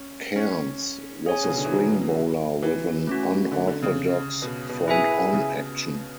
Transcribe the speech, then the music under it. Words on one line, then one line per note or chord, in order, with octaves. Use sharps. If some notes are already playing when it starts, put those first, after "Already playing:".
Cairns was a swing bowler with an unorthodox 'front on' action.
Already playing: C#4
C#4
G#4 C#5 G#5
B2
C#3
D3
E3
F#3
E3
A3 C#4 F#4
D3
D3
C#3
B2
B2
E4 G#4 B4 E5 G#5
C#3